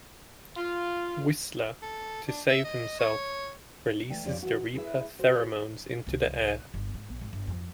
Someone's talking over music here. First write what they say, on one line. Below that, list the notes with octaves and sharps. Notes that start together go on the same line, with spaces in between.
Whistler, to save himself, releases the reaper pheromones into the air.
F4
A4
D4
E5
D#5
C#5
E3 A3 A4 D5 G5
F2 C#3 D#4 G4 C#5 D5
E3 F#4
E4 G#4 A#4 B4 E5
F#4 C5
F#4 G#4 B4 C#5
C2
G1
G#2
A#1
G#1
G1
F2